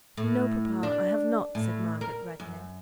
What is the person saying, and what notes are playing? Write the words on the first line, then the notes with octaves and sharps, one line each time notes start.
'No, papa; I have not,' said Margaret, reddening.
A2
D4
A2
A#4
F#2